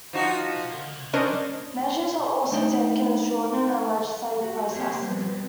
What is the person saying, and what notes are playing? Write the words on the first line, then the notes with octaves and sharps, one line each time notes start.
Measures were also taken to shorten the legislative process.
F3 D#4 F#4
C#4 D4 A#4 C5 C#5 D#5
A3 D4 D#4 G5
F#4 G4
A#3 C4 G4 C5 C#5
B2 F3 G3 B3 C4